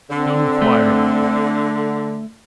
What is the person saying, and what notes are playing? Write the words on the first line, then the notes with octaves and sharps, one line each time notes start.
Don't inquire about me.
D3 C4
A3